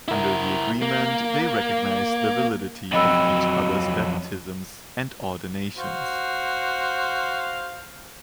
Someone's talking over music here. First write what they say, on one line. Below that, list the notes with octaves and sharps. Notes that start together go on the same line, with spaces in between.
Under the agreement, they recognize the validity of each other's baptisms and ordinations.
E4 A#4
A#3
F2 F#3 D#5 B5 E6
F#4 C5 F5